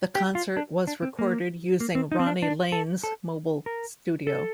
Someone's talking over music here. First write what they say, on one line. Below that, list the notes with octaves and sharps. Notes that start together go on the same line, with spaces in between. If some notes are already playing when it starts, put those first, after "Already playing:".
The concert was recorded using Ronnie Lane's Mobile Studio.
G4
F4
D4
D4
C4
A#3
A#3
C4
D#4
C4
D4
D4
A4
A4
A#4
A4